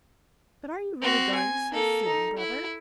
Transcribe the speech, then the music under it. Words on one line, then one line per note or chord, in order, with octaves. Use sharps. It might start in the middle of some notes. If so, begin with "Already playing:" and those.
"But are you really going so soon, brother?"
C4 F#4
G#5
A#3 A4
D#4
E4